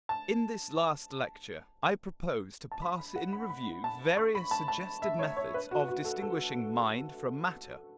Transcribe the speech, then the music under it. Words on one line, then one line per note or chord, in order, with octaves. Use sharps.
In this last lecture I propose to pass in review various suggested methods of distinguishing mind from matter.
A5
A5
B5
B5
F#5
B5
B5
A5
C#6
B5
A5
A5
E5
C#5
C#5
B4
F#4
F#4
A4
A4